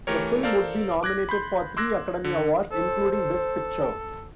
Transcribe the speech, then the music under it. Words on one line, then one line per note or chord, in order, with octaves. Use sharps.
The film would be nominated for three Academy Awards, including Best Picture.
E3 A3 G4 A#4 C#5
A4 A#4 C5 D5 F5
D6 F#6 G#6 A#6
B5 C6 G6
C6 D6 E6 F#6 G#6 A#6
D3
A4 C5
A4